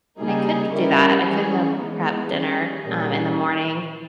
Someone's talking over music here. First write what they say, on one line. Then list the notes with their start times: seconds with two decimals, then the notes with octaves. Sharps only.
I could do that. I could meal prep dinner, um, in the morning,
0.19 C#3 G3 A#3 D#4 G#4
0.72 G3 C#4 E4 A#4
1.24 E3 G3 C#4 G#4
1.77 E3 G#3 B3 D#4
2.30 G3 C#4 G#4
2.83 A#2 G3 A#3 C#4 G#4